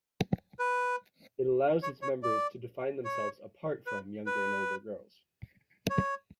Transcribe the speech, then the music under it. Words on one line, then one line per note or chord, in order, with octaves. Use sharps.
It allows its members to define themselves apart from younger and older girls.
B4
C#5
C#5
D5
C#5
B4
B4
C#5